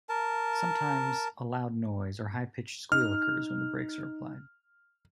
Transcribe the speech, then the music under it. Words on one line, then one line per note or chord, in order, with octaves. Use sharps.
Sometimes a loud noise or high pitched squeal occurs when the brakes are applied.
A#4 A5
D#4 F6